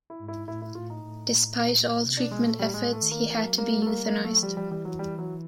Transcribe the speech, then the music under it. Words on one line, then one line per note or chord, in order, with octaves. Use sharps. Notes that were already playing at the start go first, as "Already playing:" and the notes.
Despite all treatment efforts, he had to be euthanized.
E4
G#2
E4
A2 E4
E4
A2 F4
D#4
A2
A#2
A2
A#2
C3
B2 D4
G#3
A#2 A3
G3
A2 G#3
A3
D#3
A#3
E3 A#3
F#3
G3 A#3
G3
A3
G3 A#3
A#3
F#3
A3
F3 G3
G3
E3 G3
F#3
G3
F#3